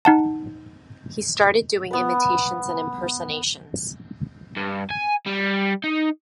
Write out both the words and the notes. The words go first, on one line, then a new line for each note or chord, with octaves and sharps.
He started doing imitations and impersonations.
D#4 F#5 A5
B3 B4
G2
G#5
G3
D#4